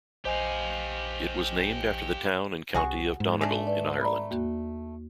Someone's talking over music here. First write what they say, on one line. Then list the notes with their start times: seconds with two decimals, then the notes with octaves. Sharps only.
It was named after the town and county of Donegal in Ireland.
0.25 A#1 G4 C5 D#5 F5 G#5
2.74 C2 C3 F#4 G#4 C#6
3.20 G#2
3.41 G#3 A3 D4
3.67 B4 D5
4.01 D5 A#5 B5
4.31 D#2 A#3 F#4